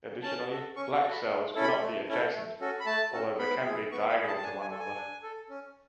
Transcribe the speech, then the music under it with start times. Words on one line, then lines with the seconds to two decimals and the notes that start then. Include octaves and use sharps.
Additionally, black cells cannot be adjacent, although they can be diagonal to one another.
0.23 C#4 A5
0.50 F#4 A4
0.76 C#4 C#6
0.94 C#6
1.02 F#4 A4
1.11 B5
1.28 A3
1.55 C#4 E4 A4
1.63 B5
1.82 A3
2.08 C#4 E4 A4
2.34 A3
2.60 C#4 F#4 A4
2.80 B5
2.86 A3 A5
3.12 C#4 F#4 A4
3.38 B3 B5
3.65 E4 G#4
3.92 B3 C#6
4.09 B5
4.18 E4 G#4
4.27 A5
4.38 A5
4.44 D4 G#5
4.61 G#5
4.71 A4
4.79 G#5
4.96 D4
5.23 A4
5.49 C#4